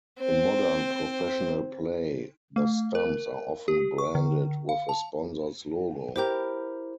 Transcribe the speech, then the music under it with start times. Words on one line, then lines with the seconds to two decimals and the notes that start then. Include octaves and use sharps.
In modern professional play, the stumps are often branded with a sponsor's logo.
0.20 C4 C5
2.56 A3
2.95 A#4
3.68 G4
3.98 C#6
4.15 D3
4.69 F5
4.89 A5
6.16 E4 G4 A#4 C5 G6